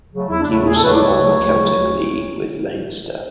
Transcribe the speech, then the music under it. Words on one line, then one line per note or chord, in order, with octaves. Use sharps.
He also won the Celtic League with Leinster.
C#3 F#3 A3
E2 E4
D4
C#3 F#3 A3
E4
E2 G#4
A4
C#3 F#3 A3 B4
D5
D2 C#5
C#3 F#3 A3
D2
C#3 F#3 A3
D2